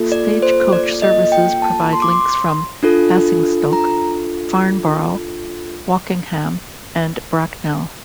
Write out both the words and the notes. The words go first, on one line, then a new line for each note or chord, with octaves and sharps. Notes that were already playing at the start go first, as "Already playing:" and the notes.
Stagecoach services provide links from Basingstoke, Farnborough, Wokingham and Bracknell.
Already playing: A#3 F4 A4
D5
C5
D5
D#5
G5
A5
C6
D6
C6
D4 F4 A4
A#5